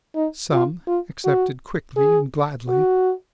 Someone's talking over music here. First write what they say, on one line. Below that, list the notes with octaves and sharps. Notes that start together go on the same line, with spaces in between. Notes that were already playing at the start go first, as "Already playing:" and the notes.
Some accepted quickly and gladly.
D#4
F4
F4
F#4
G#4
F#4